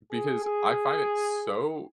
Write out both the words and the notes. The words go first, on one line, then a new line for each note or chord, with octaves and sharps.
Because I find it so
G#4
G#4